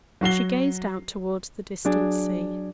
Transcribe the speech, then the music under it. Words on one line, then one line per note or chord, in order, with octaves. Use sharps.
She gazed out towards the distant sea.
F#3 F#4 C7 G7
F#3 D4 G#4